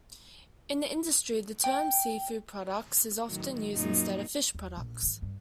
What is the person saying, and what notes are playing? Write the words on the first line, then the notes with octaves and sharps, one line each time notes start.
In the industry the term "seafood products" is often used instead of "fish products".
G5
A2 D#3 F#3
F#2 A#2 D#4
D#2
A#1
G#2 D#3
G2